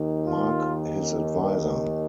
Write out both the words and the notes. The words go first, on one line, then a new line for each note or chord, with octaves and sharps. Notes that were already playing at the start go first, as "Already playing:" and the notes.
Mark, his adviser.
Already playing: D#2 D#3
F4